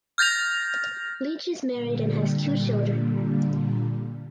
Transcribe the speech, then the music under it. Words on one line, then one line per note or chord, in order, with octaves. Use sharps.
Leach is married and has two children.
F6 G6 A6 A#6 F7
A#2 D3 G3